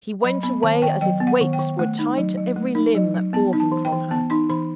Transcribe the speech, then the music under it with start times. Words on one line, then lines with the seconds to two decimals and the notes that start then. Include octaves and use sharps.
He went away as if weights were tied to every limb that bore him from her.
0.24 F#3 B5
0.43 B3 B5
0.63 D#3 A5
0.82 D#3 G5
1.01 F#3 G5
1.20 B3
1.27 F#5
1.41 D#3
1.53 G5
1.59 D#3
1.79 A3
1.99 D#4
2.17 F#3
2.37 F#3
2.56 A3
2.75 D#4
2.95 F#3
3.14 F#3
3.33 B3 A5
3.53 D#4
3.60 A5
3.72 E3
3.85 G5
3.92 E3
4.11 B3 A5
4.30 D#4 C6
4.50 E3 B5